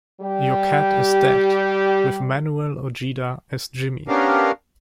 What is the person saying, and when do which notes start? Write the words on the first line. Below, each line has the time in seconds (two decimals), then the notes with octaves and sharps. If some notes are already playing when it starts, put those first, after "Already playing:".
Your Cat Is Dead, with Manuel Ojeda as Jimmy.
0.21 G3 G4
4.08 B3 C#4 D4 G4 A#4 F5